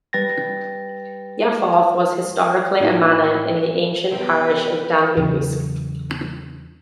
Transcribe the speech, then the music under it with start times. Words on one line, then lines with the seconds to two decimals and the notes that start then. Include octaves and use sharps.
Yafforth was historically a manor in the ancient parish of Danby Wiske.
0.13 G3 B4 G5 A6 A#6
2.80 A2 A#3 B3 D#4 E4 F#4
4.11 C3 B3 B4 G5 G7
5.17 E2 C#3 F#3